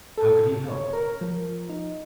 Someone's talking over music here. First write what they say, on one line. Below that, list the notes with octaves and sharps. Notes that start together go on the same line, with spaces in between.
How could he help?
A4
C#5
A#4
F3
D#4